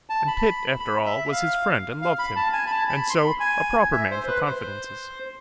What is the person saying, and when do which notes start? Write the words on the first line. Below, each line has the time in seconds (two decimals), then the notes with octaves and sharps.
And Pitt, after all, was his friend and loved him, and, so, a proper man for confidences.
0.10 A5
0.28 B5
0.80 B5
1.05 E5
1.32 F5
2.02 F5
2.19 B5
2.36 A5
2.53 G#5
2.66 B5
2.71 A5
2.89 B5
3.09 C6
3.14 B5
3.40 G#5
3.93 E5
4.11 C5
4.27 B4
4.46 C5